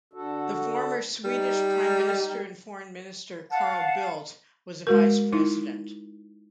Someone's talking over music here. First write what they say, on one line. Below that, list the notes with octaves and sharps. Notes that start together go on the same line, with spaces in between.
The former Swedish Prime Minister and Foreign Minister Carl Bildt was a Vice President.
D3 F#4 A4
G3 D#4
F5 F#5 A5
G#3 F#4 A#4
D#4 E4